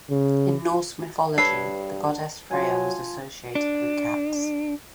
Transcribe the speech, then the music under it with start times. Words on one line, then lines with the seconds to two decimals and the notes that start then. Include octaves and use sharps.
In Norse mythology, the goddess Freyja was associated with cats.
0.10 C#3
1.38 G2 A4 B4 C#5 C7
2.51 F3 F#3 G#5
3.55 D4